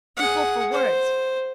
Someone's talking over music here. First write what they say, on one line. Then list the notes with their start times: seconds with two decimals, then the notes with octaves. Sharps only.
Too full for words.
0.17 G#4 F#5
0.72 C5